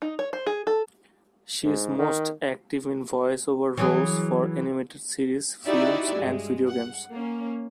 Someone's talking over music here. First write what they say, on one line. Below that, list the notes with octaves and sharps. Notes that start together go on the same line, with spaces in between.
She is most active in voice-over roles for animated series, films and video games.
D#4
C#5
C5
G#4
A4
G#2
D#3
E3 F#3 G#4
D#4 E4 F#4 G4 D5 E5
G2 G#3
F#5
A#3 C#4